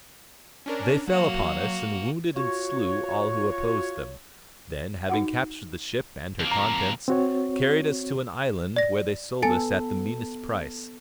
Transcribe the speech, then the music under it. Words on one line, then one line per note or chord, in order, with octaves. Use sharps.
They fell upon us and wounded and slew all who opposed them; then, having captured the ship and her contents, carried us to an island, where they sold us at the meanest price.
C#4 D4 A#4
F#3 A#3 F#4
F4 F#4 C#5
D#4 F#4 F#5
F2 A#3
A#5
C4 F#4 C#5
D5 A#6
B3 A4 G#5 A6 C#7